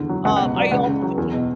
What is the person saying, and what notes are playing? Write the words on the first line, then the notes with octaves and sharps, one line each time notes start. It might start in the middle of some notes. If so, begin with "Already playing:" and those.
Um, are you also doing
Already playing: E2 D3
F#3
C#2 F#5
B2 F#5
F#3 D5
C#2 F#5
C#3
F#3
E2
B2